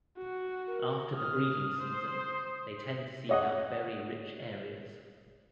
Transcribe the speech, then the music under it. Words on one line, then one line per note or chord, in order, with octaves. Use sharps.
After the breeding season, they tend to seek out berry-rich areas.
F#4
A#4
D#6 F6
C5
C#5 D#5 F#5